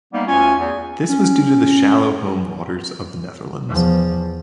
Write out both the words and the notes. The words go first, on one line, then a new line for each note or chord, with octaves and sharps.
This was due to the shallow home waters of the Netherlands.
G3 A#3 B3 D#4
D2 C#4 F4 G#5
E2
C#4
E2 F3